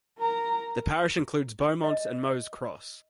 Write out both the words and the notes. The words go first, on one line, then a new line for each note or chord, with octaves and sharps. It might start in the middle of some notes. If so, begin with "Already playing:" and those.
The parish includes Beaumont and Moze Cross.
A#4 A#5
D#5